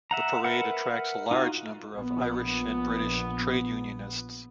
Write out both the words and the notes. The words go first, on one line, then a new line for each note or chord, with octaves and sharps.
The parade attracts a large number of Irish and British trade unionists.
E5 F#5 A#5
A#4 B4 E5 F#5
D#4 F4 F#4
A#1 B3